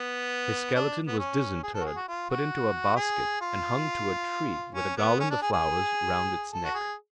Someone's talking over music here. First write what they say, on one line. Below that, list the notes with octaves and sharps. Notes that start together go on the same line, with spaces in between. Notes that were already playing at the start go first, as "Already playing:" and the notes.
His skeleton was disinterred, put into a basket, and hung to a tree with a garland of flowers round its neck.
Already playing: B3
D4
B3
C#4
G#4
A4
F#4
G#4
F#4
F4
F#4
G#4
F4
C#4
B3
C#4
D4
G#4
G#4
A4
F#4
G#4